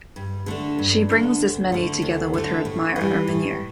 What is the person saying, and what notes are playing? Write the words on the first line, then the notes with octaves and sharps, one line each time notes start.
She brings Ismene together with her admirer Erminio.
G2
D3 A3 D4
G2
D3 A3 D4
D2
D3 A3
D2
D3 A3
A2
E3 G3
A2